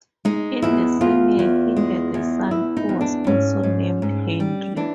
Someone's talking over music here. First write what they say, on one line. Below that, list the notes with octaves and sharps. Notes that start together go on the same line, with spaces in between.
In the same year he had a son who was also named Henry.
G#3 D#4
E2 E4
E2 F4
E2
G#3
E2
E2 E4
D#4
E2
D4
G#2 C#4
G#2
G#2
G3
E3 D4